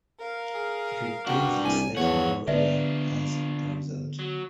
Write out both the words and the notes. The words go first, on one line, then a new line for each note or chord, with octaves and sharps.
It retains its slightly rural air as a result.
A#4 F5
G#4
D4 F#4 G5
C2 G#5
E2 F3 C#5 F#5
D3 B3 D4 F4 B4 D5 E5
F#3